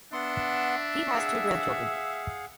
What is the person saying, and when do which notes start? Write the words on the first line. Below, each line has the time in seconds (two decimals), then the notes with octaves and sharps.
He has two grandchildren.
0.13 B3 D4 E5 F#5 C6
1.16 G#4 F5 F#5